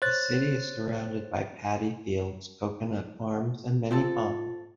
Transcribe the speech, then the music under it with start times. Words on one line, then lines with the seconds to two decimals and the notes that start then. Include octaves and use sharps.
The city is surrounded by paddy fields, coconut farms, and many ponds.
0.02 C5 C#5 F#6 A6
3.91 F3 C4 F4 A4